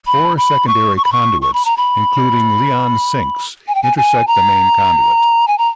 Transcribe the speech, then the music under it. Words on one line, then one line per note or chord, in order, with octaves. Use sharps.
Four secondary conduits, including Leon Sinks intersect the main conduit.
B5
B5
C#6
C#6
B5
C#6
C#6
B5
A#5
B5
G#5
G5
G#5
G#5
A#5
G#5
A#5